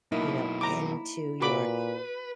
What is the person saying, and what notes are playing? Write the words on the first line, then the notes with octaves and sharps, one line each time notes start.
you know, into your
F#2 B2 A#3 D#4 E4
A#5 D6
A#2 F#4 B4 B5 D6